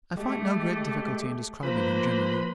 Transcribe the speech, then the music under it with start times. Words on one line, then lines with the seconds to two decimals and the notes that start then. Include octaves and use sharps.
I find no great difficulty in describing him, generally.
0.17 G#3 A3 G4
1.63 F3 A#3 B4 C5 B5